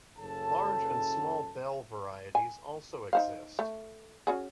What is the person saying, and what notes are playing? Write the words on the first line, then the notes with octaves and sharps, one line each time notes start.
Large and small bell varieties also exist.
F#1 F#2 C#3 C#4 A4 A5
G#5
D#4 C5 F5
A3
C#4 F#4 G#4